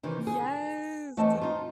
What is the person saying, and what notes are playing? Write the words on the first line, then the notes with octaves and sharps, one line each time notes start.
Yes, uh
C3 D#3 E3
G#4
E2 A3 C4 D#5 A5
D#4 F4